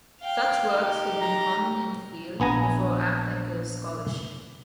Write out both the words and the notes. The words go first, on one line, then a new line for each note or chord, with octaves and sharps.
Such works had been common in the field before Aptheker's scholarship.
F5 G5
D#4 G4
A#5
A#1 B3 G#5 A#5